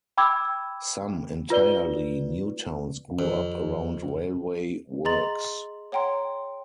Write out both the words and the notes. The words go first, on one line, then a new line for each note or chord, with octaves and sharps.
Some entirely new towns grew up around railway works.
G5 B5 D6 E6 G#6
F4 B4 D5 G7
F2
G#4 D#5 A#5 C6 A6 F#7
C#5 F#5 G5 A#5 C6